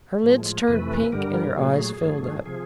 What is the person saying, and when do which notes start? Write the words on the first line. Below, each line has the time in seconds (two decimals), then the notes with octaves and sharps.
Her lids turned pink and her eyes filled up.
0.23 A2 F3 G#3
0.67 F2 C3 E3 A3 B4
1.12 G2 D3 G3 A#4
1.57 A#2 F#3 A3 G#4
2.01 G2 D3 F3 A3
2.46 C3 F3 G#4